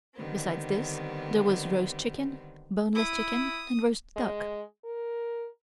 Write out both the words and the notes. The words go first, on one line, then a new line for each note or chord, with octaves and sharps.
Besides this there was roast chicken, boneless chicken and roast duck.
D3 D#3 G3 B3 C4
E4 D#6
G#3
A#4